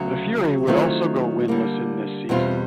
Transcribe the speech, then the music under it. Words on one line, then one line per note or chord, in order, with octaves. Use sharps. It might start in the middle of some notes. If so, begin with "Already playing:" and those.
The Fury would also go winless in this season.
Already playing: D2 C#3 F#3
D#3 F#3 A3 C4 E4 F4 G4
D3 G3 A#3
E2 B2 G3 C4 F4